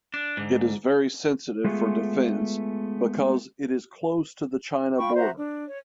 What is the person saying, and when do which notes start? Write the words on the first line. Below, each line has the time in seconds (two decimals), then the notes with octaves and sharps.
It is very sensitive for defence because it is close to the China Border.
0.14 D4
0.37 G#2 D3
1.64 G#3 A3 B3 F4 G#4
4.98 F4 G5 B5 C#6
5.16 F#4 C5 E5 A#5
5.38 D4
5.67 C#5